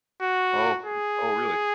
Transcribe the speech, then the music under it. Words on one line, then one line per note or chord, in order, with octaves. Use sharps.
Oh, y oh, really?
F#4
G#4